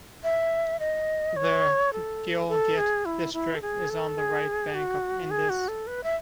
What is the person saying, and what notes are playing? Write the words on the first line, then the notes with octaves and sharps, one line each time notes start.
The Gilgit district is on the right bank of Indus.
E5
D#5
C#5
A4
A4
G#4
E4
E4
A4
G#4
A4
G#4
F#4
G#4
F#4
A4
B4
E5